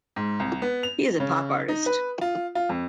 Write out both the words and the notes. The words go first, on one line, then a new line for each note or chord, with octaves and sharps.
He is a pop artist.
G#2
C2
B3
F7
C#3
D#4
B4
F4
F4
F2